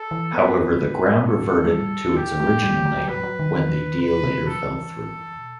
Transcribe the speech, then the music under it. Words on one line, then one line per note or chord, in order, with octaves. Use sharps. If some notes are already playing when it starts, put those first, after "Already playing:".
However, the ground reverted to its original name when the deal later fell through.
Already playing: A4
E3
B3 B4
A3 A4
A3
G3
G4
A3
G3
E3
F#3
F#3
F#3 B4
F#3
D#3
D#3
C3 B4
C3
E3 A4
F#3
E3
B2